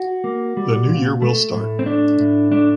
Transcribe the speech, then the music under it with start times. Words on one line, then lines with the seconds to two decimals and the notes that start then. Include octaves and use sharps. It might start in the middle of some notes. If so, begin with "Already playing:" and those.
The new year will start.
Already playing: F#4
0.24 A#3
0.57 G3
0.88 A#2
1.22 A3
1.54 A2
1.79 C4
1.86 A3 D4
2.20 A2
2.52 A3 D4